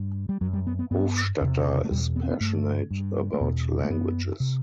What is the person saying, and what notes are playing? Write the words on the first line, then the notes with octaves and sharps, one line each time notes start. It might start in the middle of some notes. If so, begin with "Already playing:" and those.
Hofstadter is passionate about languages.
Already playing: G2
G3
F#2 F#3
G3
B3
B3
G2 B3
E2 C3
A3
E2 B2 G3
B3
C4
B3
G2 A3
G2
A3
E2 B2 B3
A3
F#2 B3
C3